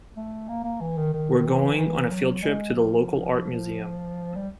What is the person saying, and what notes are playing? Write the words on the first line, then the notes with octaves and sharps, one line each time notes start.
We're going on a field trip to the local art museum.
A3
A#3
A#3
E3
D#3
D#3
D#3
E3
E3
F#3
G#3
F3
G3